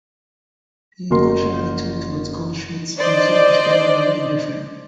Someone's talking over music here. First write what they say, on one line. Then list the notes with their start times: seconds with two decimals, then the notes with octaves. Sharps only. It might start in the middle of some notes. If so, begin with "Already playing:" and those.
The English attitude towards Goldschmidt's music was generally indifferent.
1.10 F#1 F#4 A#4 C6
2.98 D4 C5 D5 D#5